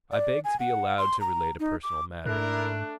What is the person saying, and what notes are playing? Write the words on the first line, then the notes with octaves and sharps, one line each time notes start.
I beg to be allowed to relate a personal matter.
D5
G#5
F#5
C6
A#5
D#4
D6
G#2 A3 D4 E4 A#4 F#6